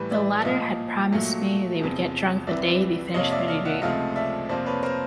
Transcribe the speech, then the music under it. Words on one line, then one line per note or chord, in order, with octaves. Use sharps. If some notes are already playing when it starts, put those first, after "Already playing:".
The latter had promised me they would get drunk the day they finished their degree.
Already playing: A2 E3 G3 B4
D5 E5
E5
A#2 F3 A#3 D#5 F5
A#2 F#3 A3
E2 C3 F3
C2 C3 E3 D5 E5
F2 C3 F3 A#3 C#5 D#5
D5 E5
D#5 F5
E5 F#5
C#2 C3 F3 A3 D#5 F5
D5 E5
F2 C3 F3 A#3 C5 D5
B4 C#5
A#4 C5